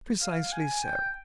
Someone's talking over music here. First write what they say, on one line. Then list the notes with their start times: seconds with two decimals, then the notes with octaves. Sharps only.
"Precisely so."
0.22 F5
0.52 G#5
0.83 G5